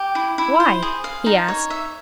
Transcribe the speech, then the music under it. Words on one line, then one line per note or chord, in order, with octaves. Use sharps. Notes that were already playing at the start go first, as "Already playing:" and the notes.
"Why?" he asked.
Already playing: G4
E4
E4
C5
G#4
F5
D#4
C#5
E5